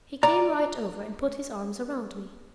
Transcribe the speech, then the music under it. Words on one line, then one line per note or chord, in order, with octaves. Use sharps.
He came right over and put his arms around me.
D5 A#5